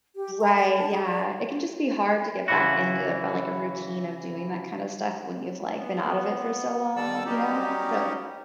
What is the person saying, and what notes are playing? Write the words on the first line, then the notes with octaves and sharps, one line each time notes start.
Right, yeah. It can just be hard to get back into, uh or, like, a routine of doing that kind of stuff when you've, like, been out of it for so long, you know? So,
G4
A#5
D5
A5
G#4
D5
C#3 E3 E4 F#4
B3
D#3 G3 A4 D5 E6
F#3 G3 C#4 D#4 G4